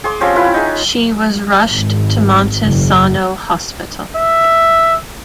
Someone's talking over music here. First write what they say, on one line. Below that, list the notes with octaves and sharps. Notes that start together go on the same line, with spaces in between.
She was rushed to Monte Sano Hospital.
G#4 C6 D6
F3 C4 C#4 G4
E4 F4 B4 B5
D#4 G#4
G#1
F#1
E5